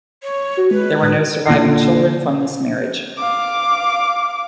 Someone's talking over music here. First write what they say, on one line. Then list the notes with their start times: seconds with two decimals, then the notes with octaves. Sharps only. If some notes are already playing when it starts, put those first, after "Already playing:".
There were no surviving children from this marriage.
0.23 C#5
0.57 F#4
0.71 G#3 B4
1.03 A2
1.46 A#2 D3 A#6 C7
3.17 F5 D6